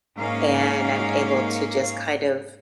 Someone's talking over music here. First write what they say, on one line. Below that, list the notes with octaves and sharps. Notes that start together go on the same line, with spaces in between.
and I'm able to just kind of
G#2 A#3 C#4 F5